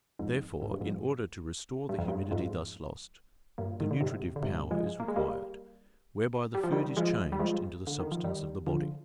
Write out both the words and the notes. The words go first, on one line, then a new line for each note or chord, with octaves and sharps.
Therefore, in order to restore the humidity thus lost, the nutritive power is required, whereby the food is changed into the substance of the body.
F2 G#2
G#2
G2
F2 G#2
G2
F2
G2
F2 G#2
G2 A#2
D#3
D3
G#2 C3
D3
G#2 C3
F3 G#3
A#3
G#3
G3 A#3
G3
F3
D#3 G3
F3 G#3
G3
F3 G#3
D3
D#3
F3
D#3 G3
D3 F3